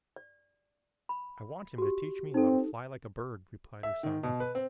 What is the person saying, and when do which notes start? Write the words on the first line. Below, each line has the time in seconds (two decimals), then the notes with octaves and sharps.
"I want him to teach me how to fly like a bird," replied Usanga.
0.16 D5
1.09 B5
1.78 F#4 G4
2.34 C4 D#4 A4
3.83 E5
4.03 D#3
4.23 B2
4.40 B4
4.55 C4